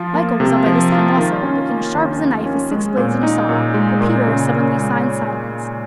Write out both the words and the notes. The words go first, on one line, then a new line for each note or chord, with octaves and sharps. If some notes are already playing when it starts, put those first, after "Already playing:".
Michael was up by this time also, looking as sharp as a knife with six blades and a saw, but Peter suddenly signed silence.
Already playing: F3 F4
A#3
C3
F3
F4
D#3
C#4
A#3
D#2
D#3
C#4
G#3
A#2
D#4
A#2
G#3
A#2
C#3
C#4
G#3